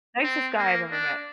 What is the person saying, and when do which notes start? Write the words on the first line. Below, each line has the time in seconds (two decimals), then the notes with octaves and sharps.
Nicest guy I've ever met.
0.23 C4
0.57 A#3
0.92 D4